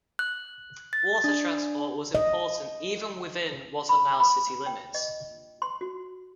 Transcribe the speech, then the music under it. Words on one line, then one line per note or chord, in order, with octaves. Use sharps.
Water transport was important even within what are now city limits.
F#6
A6
D4
D#5
B5
B5
G5
D#5
C6
F#4